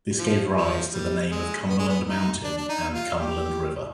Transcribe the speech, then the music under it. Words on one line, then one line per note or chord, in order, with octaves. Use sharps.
This gave rise to the name of Cumberland Mountain and Cumberland River.
F3
F3
G3
G#3
B3
G#3
B3
D#4
D4
D4
D#4
F4
G4